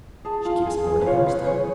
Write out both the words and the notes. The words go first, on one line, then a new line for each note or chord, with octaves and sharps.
"She keeps a boarding-house, then?"
G#4 A5
F4
G#4
G#4
B4
F4 C#5
B4
G#4 C#5